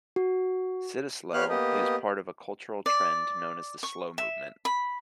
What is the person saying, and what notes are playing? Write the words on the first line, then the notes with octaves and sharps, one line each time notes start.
Cittaslow is part of a cultural trend known as the slow movement.
F#4
B3 G4 C#5 F5 F6 F#6
A#3 B3 G4 D#5
D5
C#6
E5
B5